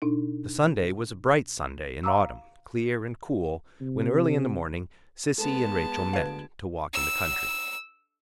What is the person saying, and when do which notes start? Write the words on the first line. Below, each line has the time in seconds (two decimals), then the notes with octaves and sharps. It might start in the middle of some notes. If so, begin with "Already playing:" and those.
THE Sunday was a bright Sunday in autumn, clear and cool, when early in the morning Sissy and Rachael met, to walk in the country.
0.02 B2 D4 D#4
2.03 F5 A#5 D6 E6
3.81 C3
5.38 G#3 B3 A4 A5
6.13 D2 B4 F5 G#6 D7
6.94 E6